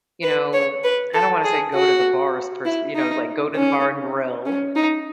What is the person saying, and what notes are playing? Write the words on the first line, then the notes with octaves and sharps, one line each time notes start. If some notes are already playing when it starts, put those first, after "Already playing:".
you know, I don't wanna say go to the bars per se you know, like go to the bar and grill
B4
C#5
B4
A4
G#4
F#4
E4
D#4
C#4
C#4
D#4